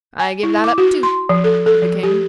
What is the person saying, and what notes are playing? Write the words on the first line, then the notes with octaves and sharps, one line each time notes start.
"I give that up, too," said the King.
G#5
E4
D6
F#4
C6
F3
A4
A4
F3
G4